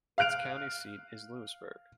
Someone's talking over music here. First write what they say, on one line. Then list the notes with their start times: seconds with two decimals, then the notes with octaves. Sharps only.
Its county seat is Lewisburg.
0.18 F5 F6 F#6 D7 F7